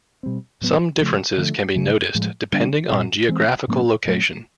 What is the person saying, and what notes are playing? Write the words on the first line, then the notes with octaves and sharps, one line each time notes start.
Some differences can be noticed depending on geographical location.
B2 G3 C4
A2 F#3 B3
C#3 F3 A3
D3 F3 A3
C#3 F#3 A3
A2 F3 G#3
D3 G3 B3 D4
A#2 G3 C4
E3 G#3 C4
A2 F#3 A#3 C#4
A#2 F#3 A3 C#4